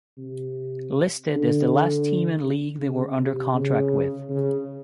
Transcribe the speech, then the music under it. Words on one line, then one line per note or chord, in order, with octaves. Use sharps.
Listed is the last team and league they were under contract with.
C3
D3
C#3
C3
C#3
C#3